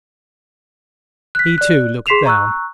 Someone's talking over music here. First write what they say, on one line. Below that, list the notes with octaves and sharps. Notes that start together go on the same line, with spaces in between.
He too, looked down.
F#6 B6
D5 F#6
G#4 C6 B6 C7 E7 F7
A#5 C#6 E6 F#6